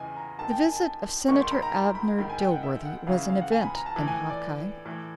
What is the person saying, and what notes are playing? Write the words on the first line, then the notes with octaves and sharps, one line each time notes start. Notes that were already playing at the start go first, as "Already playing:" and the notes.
The visit of Senator Abner Dilworthy was an event in Hawkeye.
Already playing: E2 C#3 E3 D#5 G#5
A#5
F#2 D#3 A5
G5
G#5
A5
G#2 D#3 C#6
C6
B5
A#5
A#5
B5
G#2 D#3 B5
G#5
G5
F#5
E5
F#5
E2 C#3 E3 F5
E5
F5
F#5
G#5
B5
A#5
A5
E3
A2
G#5
D5
A2 E3